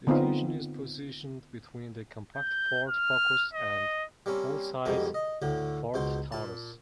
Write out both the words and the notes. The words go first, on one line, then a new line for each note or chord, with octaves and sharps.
The Fusion is positioned between the compact Ford Focus and full-size Ford Taurus.
D3 B3 C4 D#4 F4
G6
F6
D#5
G3 A#3 C4 C#4
F2 B2 G3 G#3 A#3
D#5
D2 A2 D3
C#2 B2 C5
A#2 A5